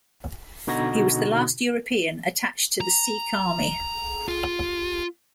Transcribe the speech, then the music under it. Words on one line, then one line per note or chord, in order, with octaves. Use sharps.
He was the last European attached to the Sikh army.
B2 D3 D#4 F#4 G#6 A#6
A#5
F4